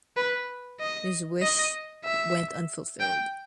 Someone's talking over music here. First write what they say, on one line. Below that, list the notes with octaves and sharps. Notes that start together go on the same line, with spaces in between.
His wish went unfulfilled.
B4
D#5
D#5
E5
G5